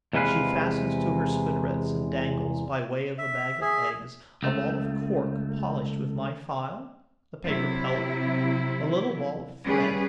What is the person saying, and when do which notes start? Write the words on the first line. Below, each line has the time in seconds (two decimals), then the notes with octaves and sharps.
She fastens to her spinnerets and dangles, by way of a bag of eggs, a ball of cork polished with my file, a paper pellet, a little ball of thread.
0.13 E2 C3 G#3 B4 F5
3.18 E5
3.61 G#4 E5
4.43 C#2 A3
7.45 C3 F#3 E4
9.66 G3 C#4 G#4 B4